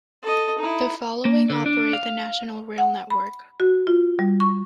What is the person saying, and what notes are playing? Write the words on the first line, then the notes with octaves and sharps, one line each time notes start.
The following operate the National Rail network.
A4 D#5
D#4 E4
A#3
D3
D4
F5
F#5
B5
F#4
F4
G3
C#6